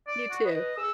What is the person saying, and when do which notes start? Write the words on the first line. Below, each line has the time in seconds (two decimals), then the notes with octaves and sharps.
You too.
0.07 D5
0.30 F#4
0.45 B4 D#5
0.77 G#4 E6